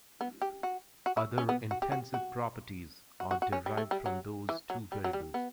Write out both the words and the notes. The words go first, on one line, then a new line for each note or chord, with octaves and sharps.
Other intensive properties are derived from those two variables.
B3
G4
F#4
F#4
E4
C#4
B3
F#4
G4
F#4
F#4
F#4
F#4
F#4
C#4
G3
A3
G3
F#3
E3
F#3
G3
F#3
G3
B3